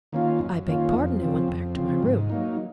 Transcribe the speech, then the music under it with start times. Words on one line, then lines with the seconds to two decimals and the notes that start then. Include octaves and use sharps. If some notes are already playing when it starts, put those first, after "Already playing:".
I begged pardon and went back to my room.
0.13 D#3 A#3 C#4 F4
0.39 F#2
0.67 D#3 A#3 C#4 F4
0.94 F2
1.22 C#3 F3 C4
1.48 F2
1.75 C#3 F3 C4
2.03 G#2
2.30 F#3 A#3 D#4